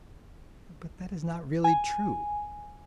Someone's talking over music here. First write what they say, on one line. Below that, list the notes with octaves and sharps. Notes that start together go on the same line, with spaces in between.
But that is not really true.
G#5